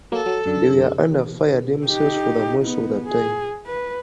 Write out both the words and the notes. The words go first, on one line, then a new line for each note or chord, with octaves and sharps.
They were under fire themselves for most of the time.
F#3 A#3 A4
F#3
F#2 D3
D#4 G4
B3 D#4
G#4
B4